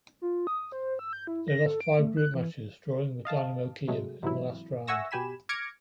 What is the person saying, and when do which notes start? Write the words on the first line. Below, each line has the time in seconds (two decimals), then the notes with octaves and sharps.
They lost five group matches, drawing with Dynamo Kyiv in the last round.
0.22 F4
0.47 D#6
0.72 C5
0.99 E6
1.13 G6
1.27 E4
1.48 A#6
1.66 A4
1.81 D7
1.99 A3
2.17 F#6
2.34 E3
3.25 D#5 F5 A5
3.88 C3 F#3 G#3 A3
4.23 G#2 C3 E3 F#3 E4
4.87 E5 F#5 G#5 C#6 E6 A#6
5.11 B2 G4 G#5 B5 E7
5.49 D6 F6 G#6 A#6 C#7 D7